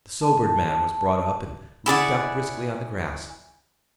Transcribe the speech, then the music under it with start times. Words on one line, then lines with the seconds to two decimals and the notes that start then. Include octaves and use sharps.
The sobered man was brought up and leaped out briskly on the grass.
0.22 A5
0.43 A5
1.86 E4 G#4 D5 F#5